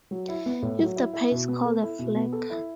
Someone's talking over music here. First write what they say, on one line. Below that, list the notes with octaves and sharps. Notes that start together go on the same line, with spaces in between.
If the pair is called a "flag".
F#3
E4
B3
A2
F#3
E4
E4
B2
B3
A4
E4
B2
B3
A4
E4